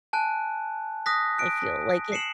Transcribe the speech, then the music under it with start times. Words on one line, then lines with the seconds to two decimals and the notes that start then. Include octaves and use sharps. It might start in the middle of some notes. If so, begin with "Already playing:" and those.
I feel. Like, it
0.13 G#5 A5 F#6
1.06 D#6 F#6 A#6 B6
1.38 F#6 D7
2.12 C7 C#7 E7 F#7